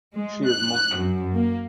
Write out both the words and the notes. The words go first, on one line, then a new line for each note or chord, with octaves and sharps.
She is Muslim.
G#3
F#6
F#2
A#3